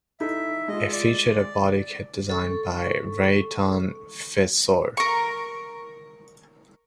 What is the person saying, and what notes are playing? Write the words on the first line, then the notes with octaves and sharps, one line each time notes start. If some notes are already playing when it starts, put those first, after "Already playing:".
It featured a body kit designed by Rayton Fissore.
D#4 E4 A4 E5
G#3 F4 D#5
D5
A4 C#6
A#4 C#6